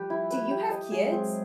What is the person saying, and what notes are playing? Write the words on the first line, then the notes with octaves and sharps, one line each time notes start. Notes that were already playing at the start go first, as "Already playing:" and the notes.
"Do you have kids?
Already playing: F3 G3 G4 B4
E4
B4
G4
D#5
F#3 G#3 G#4
C4